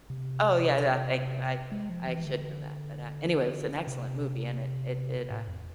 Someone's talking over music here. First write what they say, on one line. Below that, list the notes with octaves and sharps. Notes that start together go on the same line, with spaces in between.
Oh, yeah, yeah, thank you, I I should know that, but, uh, anyway, it was an excellent movie, and it it did, uh,
C3
G#3
F3
E3
D3
C3
A2
F2